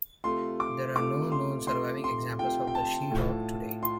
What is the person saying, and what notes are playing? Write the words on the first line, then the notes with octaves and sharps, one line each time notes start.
There are no known surviving examples of the Seahawk today.
C3 A3 F4 C6
D6
C3 A3 F4 D6
C6
C3 A3 F4 C6
C6
C3 A3 F4 G5
G5
A5
A2 A3 F4
F4 C6